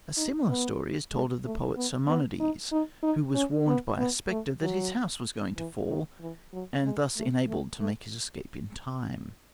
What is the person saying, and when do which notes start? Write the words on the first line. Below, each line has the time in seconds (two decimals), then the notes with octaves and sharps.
A similar story is told of the poet Simonides, who was warned by a spectre that his house was going to fall, and thus enabled to make his escape in time.
0.17 D#4
0.48 B3
1.12 G#3
1.45 A3
1.77 B3
2.08 B3
2.40 D#4
2.72 D#4
3.03 D#4
3.35 C#4
3.67 B3
3.98 B3
4.30 A3
4.62 F#3
5.57 E3
5.89 D#3
6.20 E3
6.53 F#3
6.84 G#3
7.17 A3
7.48 A3
7.80 A3